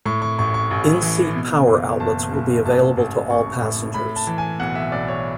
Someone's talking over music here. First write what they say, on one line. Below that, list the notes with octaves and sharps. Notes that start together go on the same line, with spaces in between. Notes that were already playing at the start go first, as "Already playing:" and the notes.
In-seat power outlets will be available to all passengers.
A2 C#6
C#6
A1 C#6
C#6
A1
E3
B2
F#1
F#1 A5
F#1
A1 A5
A1
A1 C#6
A2
A2 B5
A5
E3
G#5
B1 F#5
E5
B1 D5
C#5